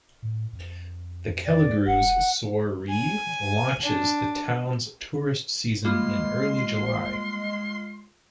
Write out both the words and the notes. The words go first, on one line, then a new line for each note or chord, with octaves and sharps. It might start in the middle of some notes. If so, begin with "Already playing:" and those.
The Kelligrews Soiree launches the Town's tourist season in early July.
A2
F2
D5
E1 F#5
G#5
D4
G3 G#3 A#3 F4 C6